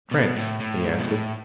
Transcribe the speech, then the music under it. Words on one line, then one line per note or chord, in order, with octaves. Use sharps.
"Trench," he answered.
B2
A2
A2
G#2
B2
A2